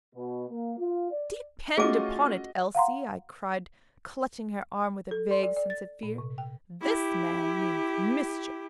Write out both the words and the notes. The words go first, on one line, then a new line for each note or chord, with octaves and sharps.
'Depend upon it, Elsie,' I cried, clutching her arm with a vague sense of fear, 'this man means mischief.
B2
A#3
F4
D5
A3 C#4 F4 F#4 G#4 D#5 D6
F5 F#5 A#5 C6
A4
C6
D5
D5
A6
A#2
C3
G5
E4 G4